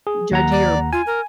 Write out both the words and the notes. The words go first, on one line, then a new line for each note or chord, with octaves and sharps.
judgy or
G#4
D#2 F#5 A#5
D5
F4 G#5
A#4